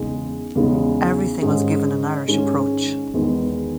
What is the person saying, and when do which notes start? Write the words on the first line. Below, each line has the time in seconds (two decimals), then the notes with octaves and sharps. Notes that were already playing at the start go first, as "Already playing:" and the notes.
Everything was given an Irish approach.
Already playing: E2 C#3 G#3 D#4
0.55 E2 C#3 G#3 D#4
1.42 G#2 D#3 G#3 C#4 G#4
2.27 G#2 D#3 G#3 C#4 G#4
3.14 E2 D#3 G#3 B3